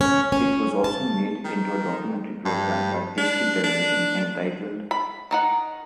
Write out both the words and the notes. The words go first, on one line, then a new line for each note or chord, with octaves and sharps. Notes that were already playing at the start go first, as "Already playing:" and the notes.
It was also made into a documentary program by History Television, entitled "".
C#4
C#4
A5
D#3
G2
D4
D4
B5
D#3 D#4 F#5